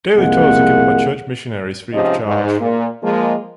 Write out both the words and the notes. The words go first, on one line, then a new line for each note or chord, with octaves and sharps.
Daily tours are given by Church missionaries free of charge.
C2 F2 G#3 A#3 F#5
G#2 C3 F3 C#4 G4 D#5
G#2
A#2
F3 G#3 A#3